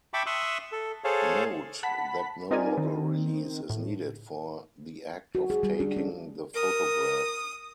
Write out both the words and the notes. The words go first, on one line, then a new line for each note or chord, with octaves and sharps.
Note that no model release is needed for the act of taking the photograph.
E5 G5 A5 B5 C#6 D6
E5 C6 C#6 D#6 E6 F#6
A4
G#4 A4 C5 C#5 F5 A5
F#5 A5 B5 B6
C4 D#4 F4 A#4 D5 G#5
D#3 C4
A2
F#4
G#4
G3
D4
C#4
A#4 D#6